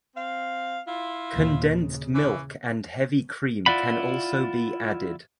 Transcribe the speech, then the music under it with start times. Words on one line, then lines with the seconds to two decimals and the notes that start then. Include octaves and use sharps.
Condensed milk and heavy cream can also be added.
0.16 C4 F5
0.87 E4 F4
1.33 D#2 A#2
1.74 C#3
2.15 E3 C#4 E4
3.66 E4 F4 D5 F#5 B5